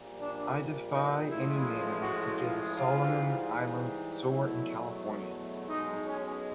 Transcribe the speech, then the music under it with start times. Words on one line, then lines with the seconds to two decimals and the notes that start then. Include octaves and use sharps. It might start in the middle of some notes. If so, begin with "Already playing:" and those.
I defy any man to get a Solomon Island sore in California.
Already playing: A#1 A#2 G3
0.19 D4
0.92 D#4
1.28 A1 A2 F3 G#3 E4
1.65 F4
2.01 F#4
2.38 F4
2.75 G#2 E3 G3 F4
4.21 E2 B2 F#3 A3 E4
5.67 B1 B2 G#3 D#4
6.04 C#4